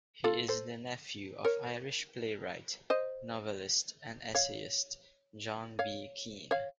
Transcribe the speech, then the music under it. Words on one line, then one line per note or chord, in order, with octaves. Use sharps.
He is the nephew of Irish playwright, novelist and essayist John B. Keane.
F4 A4
A4 C5
A#4 C#5
C5 D#5
C#5 F5
C#5 F5
C#5 F5